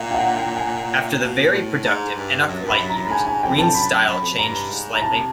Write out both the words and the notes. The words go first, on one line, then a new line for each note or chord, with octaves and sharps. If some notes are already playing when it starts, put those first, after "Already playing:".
After the very productive Enoch Light years, Green's style changed slightly.
Already playing: A#2 F5
G5
F#5
G5
G#5
B2
A2
G#2
G2
F#2
G2 B5
F#2
A#5
F#2
A2
G#2 G#5
G#5
F2 G5
A5
F#2 B5
F#2
F2
F#2
G2 A#5
G#2
A#5
C3 A5